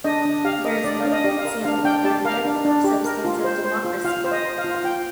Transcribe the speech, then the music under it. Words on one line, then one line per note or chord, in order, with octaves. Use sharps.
There is no good example of an objectively substantive democracy.
D4 D#5
D4
G4 F5
A#4 D#5
D4 D5
D4 F5
D#5
G4
F5
A#4
D4 F5
D4 G5
G4 A5
A#4 F5
D4
D4
G4
A#4
F4
C5
C5
F4
F4 F5
C5
D#5
C5
F5
F4
F5
F4 G5